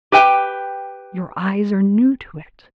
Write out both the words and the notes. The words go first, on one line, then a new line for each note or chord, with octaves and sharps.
Your eyes are new to it.
G4 B4 G5